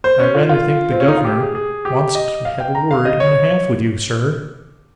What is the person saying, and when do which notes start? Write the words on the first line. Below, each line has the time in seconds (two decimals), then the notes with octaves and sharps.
I rather think the gov'nor wants to have a word and a half with you, Sir.'
0.04 C5
0.20 C#4
0.35 F4
0.49 F4
0.92 C4
1.00 C#4
1.08 D#4
1.17 F4
1.25 G4
1.40 G#4
1.55 G#4
1.85 G4
2.15 D#5
2.45 F5
2.60 G5
2.75 A#5
2.91 F5
3.05 D#5
3.20 C#5